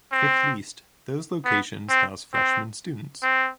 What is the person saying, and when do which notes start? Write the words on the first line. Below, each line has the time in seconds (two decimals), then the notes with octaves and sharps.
If leased, those locations house freshman students.
0.12 C4
1.45 B3
1.89 C4
2.33 C4
3.23 C4